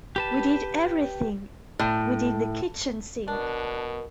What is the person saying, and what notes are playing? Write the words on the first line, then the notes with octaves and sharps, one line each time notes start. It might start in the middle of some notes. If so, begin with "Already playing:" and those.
We did everything - we did the kitchen sink!
G4 B4 A5
A2
B2 D4 A#4